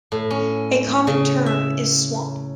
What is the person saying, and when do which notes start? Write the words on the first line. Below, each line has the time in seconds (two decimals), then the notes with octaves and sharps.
A common term is swamp.
0.12 A2
0.31 C#4
1.07 C#3
1.46 E5